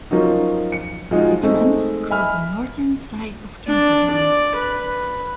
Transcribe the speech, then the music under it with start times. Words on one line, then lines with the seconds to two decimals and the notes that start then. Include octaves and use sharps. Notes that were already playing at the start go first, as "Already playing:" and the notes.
It runs across the northern side of Camperdown.
0.11 F3 F#3 A#3 C#4 D#4
0.72 C#7
1.11 F3 G#3 D#4 F4 F#4
1.43 G#3 A3 C4 D#4
2.10 D#5 E5 G#5 B5 F6
3.67 D4
4.10 D5
4.55 B4